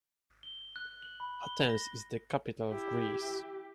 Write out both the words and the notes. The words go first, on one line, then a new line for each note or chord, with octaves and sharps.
Athens is the capital of Greece.
G7
F#6
F#7
B5
G7
A#6
E4 G4